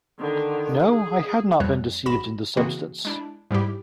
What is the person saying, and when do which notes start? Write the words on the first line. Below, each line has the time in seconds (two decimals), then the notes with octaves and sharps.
No, I had not been deceived in the substance.
0.19 D3 D#3
0.89 G#4
1.60 F2 G3 C4 C#5 F#6
2.06 G#1 F#4 B5 A#6 E7
2.57 C#3 E3 A#3 C4 F#4 G#4
3.05 G#3 D4 E4
3.51 G#2 G3 E4 G4